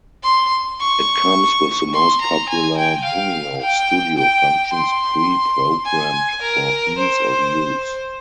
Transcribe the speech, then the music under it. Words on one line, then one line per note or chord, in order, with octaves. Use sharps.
It comes with the most popular Mimio studio functions pre-programmed for ease of use.
C6
C#6
C6
A#5
G#5
G5
F5
G5
G5
C6
G#5
A#4
C5